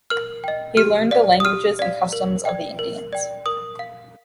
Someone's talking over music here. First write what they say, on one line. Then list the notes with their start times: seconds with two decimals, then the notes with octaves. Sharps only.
He learned the languages and customs of the Indians.
0.10 A#4 F6
0.44 D#5 G5
0.77 G4 F6
1.11 D5 F5
1.40 D#6
1.45 G4 F6
1.79 D5 F5
2.13 A#4
2.45 D5 G5
2.79 A#4
3.13 D5 G5
3.46 A#4 D#6
3.79 F5